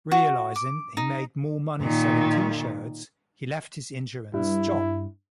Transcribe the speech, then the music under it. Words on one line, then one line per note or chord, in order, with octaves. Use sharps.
Realizing he made more money selling T-shirts, he left his insurance job.
F#4
D6
D#4
A#2 D#3
G2 E4